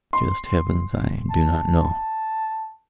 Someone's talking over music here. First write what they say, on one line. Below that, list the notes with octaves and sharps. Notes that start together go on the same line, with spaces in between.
Just Heavens, I do not know.
C6
A5